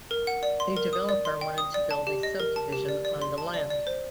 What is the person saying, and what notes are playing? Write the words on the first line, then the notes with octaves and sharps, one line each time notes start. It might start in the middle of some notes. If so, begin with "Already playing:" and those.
The developer wanted to build a subdivision on the land.
A#4
F#5
D5
C6
A#4
D#6
D5
C6
G5
D#6
D5
A5
G4
D#5
A#4
A5
G4
D5
D5
C6
A5
D5
D5
C5